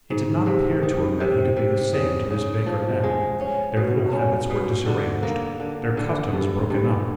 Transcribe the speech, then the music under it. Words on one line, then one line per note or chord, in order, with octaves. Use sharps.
It did not appear to him that he could be the same to Miss Baker now; their little habits were disarranged, their customs broken up.
G#2
C3
D#3
C3
C3
C#3
C#3
F3
G#3
C#4
B2
C#4
B2
D3
A#3
D3
D3
G2
G2